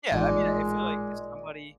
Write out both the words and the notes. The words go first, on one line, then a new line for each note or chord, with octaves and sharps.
Yeah, I mean I feel, like, if somebody's,
A1 A#2 G#3 D#4 A5